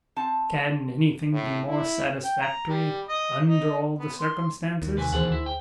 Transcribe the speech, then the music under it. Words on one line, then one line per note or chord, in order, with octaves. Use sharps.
Can anything be more satisfactory, under all the circumstances?
C4 A5
A2
E4
G5
A#5
G3
D#5
D#4
B3
C6
D#2
C3 B4 G#5
D2 B2 E3 G#4 C5 F#5
E4
G5